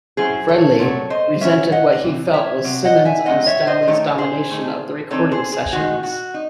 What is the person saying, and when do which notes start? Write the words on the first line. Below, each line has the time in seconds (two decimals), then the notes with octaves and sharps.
Frehley resented what he felt was Simmons' and Stanley's domination of the recording sessions.
0.17 F#3 C#4 E4 G#4 C5
0.48 A4 C#5
0.79 C3 F#3 A3 A4 C#5
1.10 C5 D#5
1.41 F#3 C#4 E4 C#5 E5
1.72 D#5 F#5
2.03 C3 E3
2.33 C#5 E5
2.64 C3 F#3
2.85 D#5 F#5
3.05 E5 G#5
3.26 A2 F#3 C4 D#4 D#5 F#5
3.46 C#5 E5
3.67 C5 D#5
3.83 C5
3.87 D#3 A3 D#4 A4 C#5
4.18 G#4 C5
4.50 D#3 A3 D#4
5.11 E3 C4 D#4 A4 C#5
5.31 G#4 C5
5.52 G#4
5.73 D#3 G#3 D#4 F#4
6.03 F#4
6.34 D#4